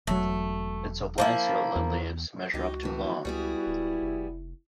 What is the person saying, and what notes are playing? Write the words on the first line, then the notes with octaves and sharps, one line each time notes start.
Its oblanceolate leaves measure up to long.
E1 F#3 A3
F3 A#3 E4
E2
C#2 E3 D#4 F#4 G4
A1 A2 E3 D#4
C#2 G3 B3 E4 G#4
D1
F1